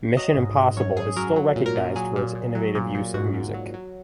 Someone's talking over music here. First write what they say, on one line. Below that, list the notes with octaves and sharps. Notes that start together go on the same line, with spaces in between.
"Mission: Impossible" is still recognized for its innovative use of music.
F#3 D#5
G#2
G#2
F#2 C#5
F#2 G#4
F#3 A#4
F#3
A#2
A#4
A#2
F#3 G#4
A#2
A#2
F#3
A#2
A#2
G#2 F#4
G#2
F#3
F#3